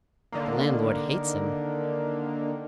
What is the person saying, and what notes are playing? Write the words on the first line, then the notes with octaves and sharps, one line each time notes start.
The landlord hates him.
D3 D#3 A#3